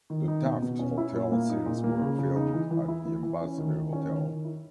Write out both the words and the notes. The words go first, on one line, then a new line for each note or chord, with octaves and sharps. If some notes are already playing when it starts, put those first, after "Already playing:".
The Taft Hotel scenes were filmed at the Ambassador Hotel.
D#3
D#4
B2
B2
C#4
E4
A#2
A#3
D#4
A#2
A#3
C#3
C#3
D#4
E3
E3
E4
E3
E3
C#4
D#3
D#3
C#4
D#3
D#3
E4